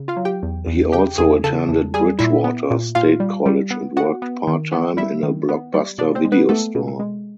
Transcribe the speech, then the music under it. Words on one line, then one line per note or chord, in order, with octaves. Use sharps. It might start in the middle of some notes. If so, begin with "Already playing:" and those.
He also attended Bridgewater State College and worked part-time in a Blockbuster video store.
Already playing: C#3
F4 F5
F#3
G4 G5
E2
E2
C#3 G4 G5
E2 G#4 G#5
C#3 A4 A5
E2
G3 G#4 G#5
A#2 E4 E5
B3
A#2
A#2 F4 F5
G3
G3
B3
B3 F#4 F#5
B3
D#3
B3
G3 E4 E5
D#3
B3
G3
B2 D4 D5
C4 C5
G#3
B3 B4
A3 B3 A4
B2
G#3